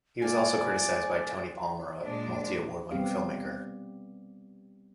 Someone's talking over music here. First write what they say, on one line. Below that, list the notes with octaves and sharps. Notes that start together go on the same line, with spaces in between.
He was also criticised by Tony Palmer, a multi-award-winning filmmaker.
G#3 A#3 F4 D5 G#5
A#2 G#3 D4
G3 B3 C4 G4 F5